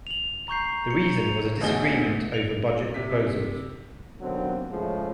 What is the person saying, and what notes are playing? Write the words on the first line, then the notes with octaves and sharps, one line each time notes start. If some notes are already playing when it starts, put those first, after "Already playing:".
The reason was a disagreement over budget proposals.
F7 F#7
A#5 C#6 G6 C7
C#7
F7
A1 D2 B3 D#4 G#4 G7
F7
C3 B6
D#2 B2 D3 F#3 C4
A2 C#3 F3 G#3